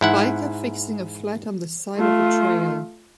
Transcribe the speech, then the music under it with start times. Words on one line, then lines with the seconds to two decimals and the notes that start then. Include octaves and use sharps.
Biker fixing a flat on the side of a trail.
0.01 G#2 E4 F#5
1.97 A3 F4